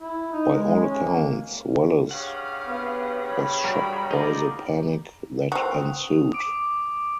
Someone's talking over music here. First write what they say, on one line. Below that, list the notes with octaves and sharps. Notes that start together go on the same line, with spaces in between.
By all accounts, Welles was shocked by the panic that ensued.
E4
D#4
G#3
C#4
A#3
G2 C#3 G4 F5 F#5
B3
C#5 B5
G3 F#4 A#4
F3 G#3 D#4 A#4 D5
C4 F#4 D#6
D6 D7